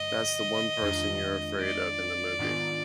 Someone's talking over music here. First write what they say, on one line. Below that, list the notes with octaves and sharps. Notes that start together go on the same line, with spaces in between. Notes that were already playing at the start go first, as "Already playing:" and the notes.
That's the one person you're afraid of in the movie.
Already playing: G1 G2 D3 F3 G#3 D#5
F2 D#3 G#3 D4 F4
D5
G#2 D#3 B3 D4 F4